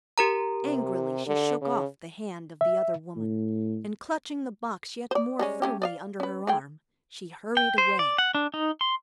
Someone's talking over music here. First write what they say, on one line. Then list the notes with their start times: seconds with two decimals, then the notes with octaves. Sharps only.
Angrily she shook off the hand of the other woman, and clutching the box yet more firmly under her arm, she hurried away.
0.18 G4 A#4 A#5
0.65 C3
1.27 D3
1.61 C#3
2.61 E5
3.16 A2
5.11 C5 D5
5.39 G3 G#3 C#4
5.62 A3 C#4 G4
5.82 D5 D#5 F5
6.20 C#4 B4
6.47 A3 G#4 G5
7.57 G5
7.78 C5
7.99 D5
8.18 F#5
8.35 D4
8.54 D#4
8.81 C6